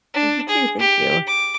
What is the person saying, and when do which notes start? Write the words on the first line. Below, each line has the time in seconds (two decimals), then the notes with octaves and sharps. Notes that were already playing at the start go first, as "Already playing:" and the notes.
Oh, you too, thank you.
0.14 D4
0.49 G#4
0.80 G4
1.26 D6